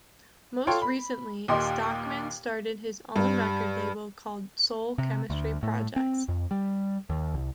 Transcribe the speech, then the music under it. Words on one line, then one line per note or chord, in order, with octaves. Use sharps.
Most recently, Stockman started his own record label called Soul Chemistry Projects.
F4 A4 C#5 G5 C6
B5
D#2 A#2 G4 D#5 C6
G2
C3
D2
A2
C4
F2
G3
D#2
C2